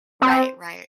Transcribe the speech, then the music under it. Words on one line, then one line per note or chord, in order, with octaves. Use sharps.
Right, right.
C4